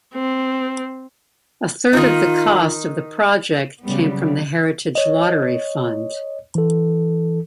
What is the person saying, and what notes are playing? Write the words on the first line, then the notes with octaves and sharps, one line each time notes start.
A third of the cost of the project came from the Heritage Lottery Fund.
C4
D#3 D#4 F4
C#3 F#3 G3 B3
C#5 D#5
E3 A4